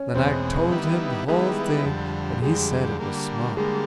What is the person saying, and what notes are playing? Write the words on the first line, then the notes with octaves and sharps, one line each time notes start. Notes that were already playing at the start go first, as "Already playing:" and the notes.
Then I told him the whole thing, and he said it was smart.
Already playing: C#4
E2 B2 G#3 C4
D#3 G3 B3 E4
D#3 G3 G#3 B3 E4
F2 D3 G3
F2 D3 G3 G#3
D3 G3 A#3
D3 G3 G#3 A#3